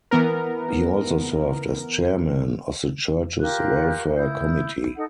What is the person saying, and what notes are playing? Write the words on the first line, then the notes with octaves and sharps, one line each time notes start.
He also served as chairman of the church's Welfare Committee.
E3 B3 A#4
F4 G4 A#4 F#6
E4 D#6 G6
D#4 A4 F#5